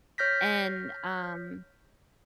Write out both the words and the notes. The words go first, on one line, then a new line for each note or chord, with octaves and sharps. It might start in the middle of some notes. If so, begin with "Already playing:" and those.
And um,
C#5 F6 G6 A#6 B6